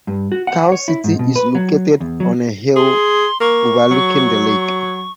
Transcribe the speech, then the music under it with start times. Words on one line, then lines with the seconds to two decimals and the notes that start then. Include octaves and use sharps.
Kaw City is located on a hill overlooking the lake.
0.07 G2
0.32 F#4
0.47 F#5
0.72 C#5
0.88 E4
1.04 G#2
1.19 B2
1.36 B4
1.55 F#3
2.00 E2
2.20 F#3
2.76 G#4 C6
3.41 A#3 C#6
3.91 F#3